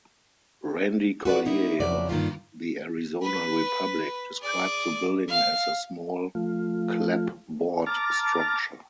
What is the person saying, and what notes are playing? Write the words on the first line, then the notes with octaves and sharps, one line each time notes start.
Randy Collier of "The Arizona Republic" described the building as "a small clapboard structure".
F#4 B4 C5 D5
A#3 D#4 E4
F2 C#3 F#3 B3 E4 D5
G2 D#3 A#3 F4
B4
G#4 D5
F5
F3 A3 F4
A5 A#5 D6 F6 A6